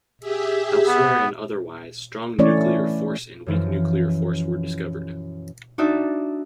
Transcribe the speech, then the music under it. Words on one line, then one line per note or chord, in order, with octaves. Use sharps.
Elsewhere and otherwise, strong nuclear force and weak nuclear force were discovered.
G4 G#4 E5
B3
E3 A3 C#4 E4 C#5 D5
F#2 E3 F3
D4 D#4 F#4 D5 E5